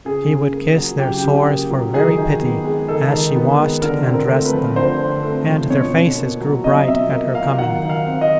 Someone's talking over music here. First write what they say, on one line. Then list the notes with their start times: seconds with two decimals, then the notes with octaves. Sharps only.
She would kiss their sores for very pity as she washed and dressed them, and their faces grew bright at her coming.
0.05 C#3 G#4
0.29 C#3
0.52 A#3
0.76 F#3
0.99 C#3 G4
1.23 C#3
1.47 A#3
1.70 F#3
1.93 D#3 G#4
2.18 D#3
2.41 B3
2.65 G#3
2.88 D#3 A4
3.11 D#3
3.36 B3
3.58 G#3
3.82 D3 A#4
4.06 C4
4.13 A#4
4.29 A3
4.45 B4
4.53 F3
4.76 D3 C5
5.00 C4
5.23 A3
5.47 F3
5.70 B2 C#5
5.94 B2
6.18 A#3
6.41 F#3
6.64 B2 D#5
6.88 B2 E5
7.11 A#3
7.35 F#3 F5
7.58 D#3 F#5
7.82 D#3
7.89 F5
8.05 C4
8.21 D#5